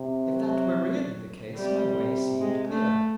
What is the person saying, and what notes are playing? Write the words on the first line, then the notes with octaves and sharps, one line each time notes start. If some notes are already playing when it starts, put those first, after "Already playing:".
If that were really the case my way seemed clear.
Already playing: C3
F#3
C3 G3
G#3
A3